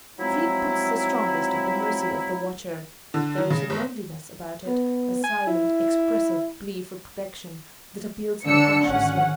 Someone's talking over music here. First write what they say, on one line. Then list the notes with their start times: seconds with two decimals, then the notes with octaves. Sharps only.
Sleep puts the strongest at the mercy of the watcher; there is a loneliness about it, a silent, expressive plea for protection, that appeals unconsciously.
0.19 F3 F#3 G#3 C4 D#4 E4
3.14 D3
3.38 D#3
3.50 C#3
3.70 G1
4.67 B3
5.24 G#5
5.47 E4
8.46 D3 D4 E6 C#7
8.86 G#1 C#4 F#5